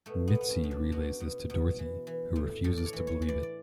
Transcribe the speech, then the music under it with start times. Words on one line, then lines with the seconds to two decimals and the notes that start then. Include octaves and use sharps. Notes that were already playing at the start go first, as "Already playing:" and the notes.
Mitzi relays this to Dorothy, who refuses to believe it.
0.06 B2 A3
0.28 B3
0.35 B2
0.41 B3
0.49 C#4
0.63 B2
0.71 D4
0.92 B2 F#4
1.20 B2
1.50 B2
1.79 E3
2.07 E3
2.36 A2
2.64 A2 A4
2.77 D5
2.86 C#5
2.93 E3
3.07 C#5
3.22 E3
3.28 D5
3.43 D5